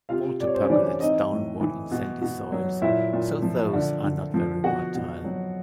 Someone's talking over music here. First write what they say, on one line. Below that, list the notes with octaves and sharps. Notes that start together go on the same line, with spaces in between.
Water percolates downward in sandy soils, so those are not very fertile.
C3 F4 F5
C3 D5
C#5
C5
C#4 C#5
E3 D4 D5
C4 D#4 D#5
A2
E3
B2
B2
F#3
A#2 E4 E5
A#2
F3
D3
D3
F3
B2 F#4 F#5
B2
F#3